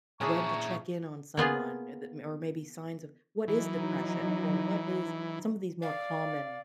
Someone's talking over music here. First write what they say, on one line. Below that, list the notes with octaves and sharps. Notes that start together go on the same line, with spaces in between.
when to check in on someone, uh, the, or maybe signs of what is depression or what is some of these more common,
A#2 C#4 D4 E4 G#4 A#5 C#6
A#3 B3 F4 G#4
E3 F#3 D#4
D5 F5